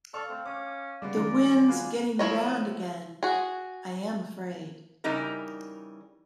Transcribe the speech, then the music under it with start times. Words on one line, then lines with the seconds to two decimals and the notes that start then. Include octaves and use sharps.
The wind's getting round again, I am afraid.
0.14 A4 D5 F5 C#6
0.29 A3 C4
0.46 C#4 D6
1.02 C#3 G3 G#3 B3 D5
1.17 D#3 F#3 C#4 D#4 A#4 B5
1.68 F4 F#4 G#4 B4
2.19 F3 E4 C#5 D#5
3.23 F#4 G#4
5.04 C#3 E3 G3 D#4 A#4